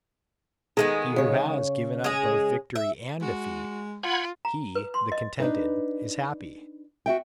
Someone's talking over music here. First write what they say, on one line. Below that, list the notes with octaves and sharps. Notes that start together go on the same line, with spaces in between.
He who has given up both victory and defeat, he, the contented, is happy.
D#3 G#3 B3 G#4
C#3 C#5
G#3 G#4
E5
G#3 F#4
F4 F#5 B5 G#6
A#5
B4
C6
D#5
D4 D#4 B4
F#4 E5 G5